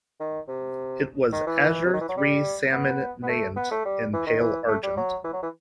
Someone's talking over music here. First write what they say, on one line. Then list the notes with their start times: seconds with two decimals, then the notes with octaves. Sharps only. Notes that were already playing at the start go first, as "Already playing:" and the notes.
It was "Azure three salmon naiant in pale argent".
0.20 D#3
0.48 C3
1.32 D#3
1.47 E3
1.86 C3
1.93 D#3
2.01 E3
2.09 F#3
2.17 G3
2.72 B3
3.23 B3
3.29 A3
3.56 B3
3.71 A3
3.85 G3
4.13 E3
4.27 D#3
4.40 E3
4.68 A3
4.83 G3
4.97 F#3
5.24 E3
5.33 F#3
5.42 E3